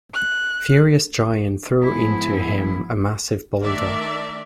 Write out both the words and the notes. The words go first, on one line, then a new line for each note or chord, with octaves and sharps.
Furious giant threw into him a massive boulder.
F#6
G#2 F3 B3 E4 G#4
D#3 A3 D4 A#4 D5 E5